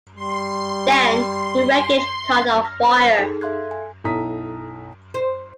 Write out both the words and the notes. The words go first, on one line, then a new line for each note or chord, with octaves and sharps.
Then, the wreckage caught on fire.
G3 C6
F6 A#6
C5
D#4 G#4 A4
A4 E5 F5 C6 F#6 G#6
G#5
B1 E4 A4 A#5 D#6 B6
C5